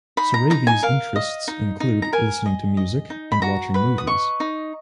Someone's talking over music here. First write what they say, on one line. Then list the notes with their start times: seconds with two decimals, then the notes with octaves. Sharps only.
Serevi's interests include listening to music, and watching movies.
0.17 D#4 B5
0.34 A#5
0.50 D#4 A#5
0.67 G#5
0.83 A#4 F5
1.16 D#5
1.48 D#4
1.80 D#4
2.02 A#5
2.13 A#4 G#5
2.46 D#5
2.77 D#5
3.10 D#4
3.32 B5
3.42 F#4 A#5
3.74 B4 B5
3.98 D#6
4.07 D#5 C#6
4.40 D#4